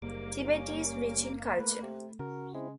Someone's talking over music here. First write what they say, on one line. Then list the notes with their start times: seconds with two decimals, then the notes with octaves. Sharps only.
Tibet is rich in culture.
0.02 F#1 G#2 G3 A#3 D6
0.52 C#4
1.59 A3 B4
1.82 C3
2.19 C#3 F#4 A#4
2.55 G#3 C4 E4